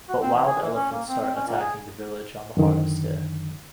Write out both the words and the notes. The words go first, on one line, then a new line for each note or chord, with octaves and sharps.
But wild elephants start attacking the village on the harvest day.
F#4
C4
E3
G#4
E3
C#4
A#3
C4
C4
C#4
A#2
G#4
F#2 D3 D#3